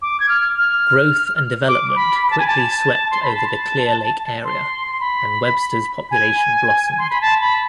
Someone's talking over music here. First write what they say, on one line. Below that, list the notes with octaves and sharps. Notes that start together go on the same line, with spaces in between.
Growth and development quickly swept over the Clear Lake Area, and Webster's population blossomed.
D6
G#6
F6
F6
D6
B5
B5
A5
G#5
A5
C6
B5
A5
C6
C6
B5
G#5
C6
B5
A5
B5